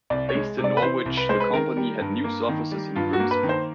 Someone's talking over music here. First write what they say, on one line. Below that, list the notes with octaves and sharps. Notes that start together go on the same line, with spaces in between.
Based in Norwich the company had news offices in Grimsby.
C2 D5
C#5
G#3
C3
D5
B4
E3 C5
C2
B4
G#3 C5
B4
D#3 A#4
G3
G2
A#3
D#3
G3
G2 F4
F#4
A#3
B4
D#3
C5